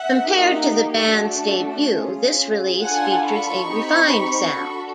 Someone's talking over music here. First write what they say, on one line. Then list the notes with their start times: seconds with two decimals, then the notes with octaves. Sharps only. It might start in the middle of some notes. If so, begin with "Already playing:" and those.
Compared to the bands' debut, this release features a refined sound.
Already playing: E5 F#5
0.23 A#3 D#4 G4
1.10 A3 D4 F#4 A4
1.96 C#4 F4 G#4
2.82 D4 F4 A4 F#5 G#5
3.25 B5 C#6
3.69 C4 D#4 G4
4.55 D4 F#4 A4